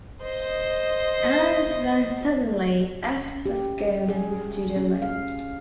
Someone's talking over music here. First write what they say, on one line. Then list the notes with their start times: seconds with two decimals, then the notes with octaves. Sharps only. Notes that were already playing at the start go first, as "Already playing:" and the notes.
And then suddenly F. was gone and he stood alone.
0.22 C5 D#5
3.17 C#4
3.46 G4
4.08 G#4
4.76 C#4
5.02 F5